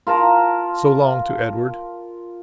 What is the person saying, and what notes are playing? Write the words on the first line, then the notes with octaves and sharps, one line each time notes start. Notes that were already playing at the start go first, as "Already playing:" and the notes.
"So long," to Edward.
F4 A#4 A5 A#5